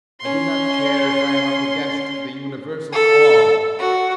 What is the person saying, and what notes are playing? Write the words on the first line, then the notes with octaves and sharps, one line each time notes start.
I do not care if I am up against the universal All.
C#4 C6
A4
F#4